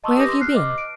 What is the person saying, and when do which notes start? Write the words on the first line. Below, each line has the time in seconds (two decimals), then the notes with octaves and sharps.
Where have you been?'
0.04 D#5 A5 C6 C#6 D#6 E6
0.17 G4 B4 D6 D#6 G6 A#6
0.28 C6
0.40 F6 F#6 C7
0.54 D#5 D6 F6
0.78 D7